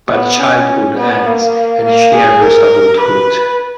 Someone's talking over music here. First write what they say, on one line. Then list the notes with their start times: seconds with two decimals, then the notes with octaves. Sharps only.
But childhood ends and she enters adulthood.
0.11 B3
0.39 C#4
0.97 B3
1.26 A#3
1.84 A#3
2.13 G#4
2.42 A#4
3.00 B4